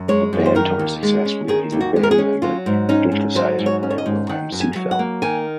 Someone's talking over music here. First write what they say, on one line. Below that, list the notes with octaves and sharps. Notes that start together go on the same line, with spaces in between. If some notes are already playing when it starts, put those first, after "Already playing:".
The band toured successfully with new band member, synthesiser player Wilhelm Seefeldt.
Already playing: F#2
G#3 C#5
F#2
C5
D#3 A#4
D#2
G#3
C#4
D#3 G#4
D#2
F#4
G#3
A#4
G#4
C#4
F#3 F4
G#2
C#4 D#4
G#2
F#3 C5
G#2
C#5
C#4
C#5
D#5
G#2
D#3 F#5
F#2
G#5
F#3
F#5
A#3
D#3 G#5